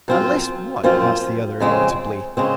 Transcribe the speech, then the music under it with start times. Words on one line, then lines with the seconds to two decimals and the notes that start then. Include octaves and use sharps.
"Unless what?" asked the other, irritably.
0.08 F#2 F3 C4 F4
0.83 F#2 F3 C4 F4
1.60 F2 C#3 G#3 C4
2.37 C#3 G#3 C4